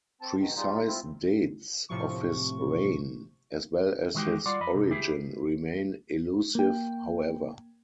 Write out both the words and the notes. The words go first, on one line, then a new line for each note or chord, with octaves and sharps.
Precise dates of his reign, as well as his origin, remain elusive however.
C4 A5
G#2 B2 D#3
G3 G#3 D#4 F4
C4 E4 F4
A2 C3 F3 C#6
D#3 E3 G#3 D#4 F#4 G4
G3 F4 D5 F#5 C6
F2 D#5 B5
C2
E4 G4 G#4
A#3 G5